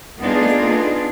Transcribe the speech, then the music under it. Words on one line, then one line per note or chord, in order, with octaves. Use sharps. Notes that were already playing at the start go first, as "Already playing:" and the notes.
It's, like
B3 D4 D#4 F4 G#4